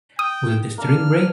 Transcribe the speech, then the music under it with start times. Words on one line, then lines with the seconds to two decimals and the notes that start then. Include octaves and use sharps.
Will the string break?
0.19 G5 D#6
0.78 A#3 D4 F6